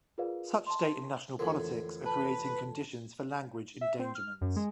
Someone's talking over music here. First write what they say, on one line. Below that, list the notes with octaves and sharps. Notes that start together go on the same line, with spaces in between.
Such state and national politics are creating conditions for language endangerments.
F4 G#4 A#4 B4 D5 F5
A5 C6
A1 F2 D3 A#4
B4 A5
E5
C4
F6
F#2
G#3